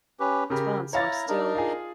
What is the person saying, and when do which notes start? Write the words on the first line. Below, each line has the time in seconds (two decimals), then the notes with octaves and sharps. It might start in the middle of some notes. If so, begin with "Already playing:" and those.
respond, so I'm still,
0.20 C#4 G4 B4
0.50 C#3 G4 A#4 B5
0.93 E4 C#5 F5 A#5 A6
1.28 D4 D#4 A#4
1.55 F4 G#4